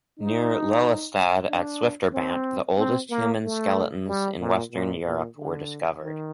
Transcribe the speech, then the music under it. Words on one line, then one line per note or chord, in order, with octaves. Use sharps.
Near Lelystad at Swifterbant, the oldest human skeletons in Western Europe were discovered.
D#4
D4
C4
C4
A#3
A3
G3
A#2
A#2
A#2
D3
D#3